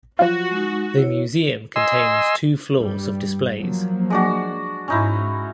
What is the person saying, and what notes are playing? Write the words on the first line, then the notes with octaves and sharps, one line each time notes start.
The museum contains two floors of displays.
F3 F#3 F4 F#4
G#3 D#4
E4 C#5
D#5 G#5 C6 E6
G2 G3
F3 F#3 A#3
G#3 D4 F#4
G#2 C#4 D#4 E4